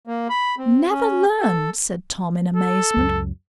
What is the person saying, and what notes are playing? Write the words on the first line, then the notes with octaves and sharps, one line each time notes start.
"Never learned?" said Tom, in amazement.
A#3
B5
C4
C#4
A4
A4
C#2 F#2 F#3